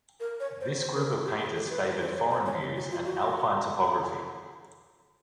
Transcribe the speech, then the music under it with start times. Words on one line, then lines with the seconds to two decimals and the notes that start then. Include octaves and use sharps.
This group of painters favored foreign views and alpine topography.
0.20 A#4
0.40 C#5
0.61 C5
0.80 C5
0.95 A#4
1.25 G4
1.40 G#4
1.55 A4
1.70 B4
1.85 C#5
2.00 C5
2.15 C#5
2.30 C5
2.45 C#5
2.60 G4
2.75 F#4
2.91 F4
3.05 F#4